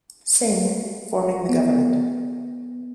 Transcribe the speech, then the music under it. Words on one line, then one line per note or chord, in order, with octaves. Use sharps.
Singh, forming the government.
B3